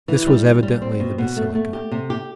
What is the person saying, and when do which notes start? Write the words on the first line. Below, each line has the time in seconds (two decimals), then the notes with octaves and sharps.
This was evidently the basilica.
0.08 E3
0.26 G3
0.45 G3
0.63 G3
0.82 C4
1.00 B2
1.18 B2
1.37 A3
1.55 A3
1.73 G4
1.92 C3
2.10 G4